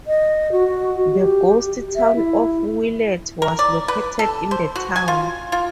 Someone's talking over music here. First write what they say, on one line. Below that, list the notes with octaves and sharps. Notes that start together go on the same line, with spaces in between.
The ghost town of Willet was located in the town.
D#5
F#4
G4
E5
E4
A#4
D5
B4
A4
C5
F#4
G#5
F4
F4